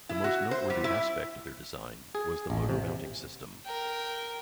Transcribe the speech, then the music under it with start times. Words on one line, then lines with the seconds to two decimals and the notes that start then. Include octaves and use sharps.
The most noteworthy aspect of their design was the motor mounting system.
0.09 E4
0.24 F#4
0.51 C5
0.70 G3
0.84 E4
2.15 G#4
2.50 A1
2.69 C3
3.65 A#4 G5